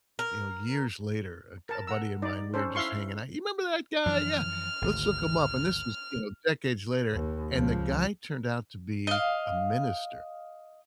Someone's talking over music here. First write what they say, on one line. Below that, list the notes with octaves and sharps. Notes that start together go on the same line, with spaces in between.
you know, years later. A g a buddy of mine, we were just hanging out, "You remember that guy?" "Yeah, let's look him up." This was, you know, decades later, and the guy turned out to be a minister.
A#4
A#4 A5
F#5 A#5 E6
D#4 D5
C#4 A4 C5
E4 E5 F5 C6 C#6
F#2 E3 F3 F6
G#1 D2
D#2
C#2 F3
D#5 F5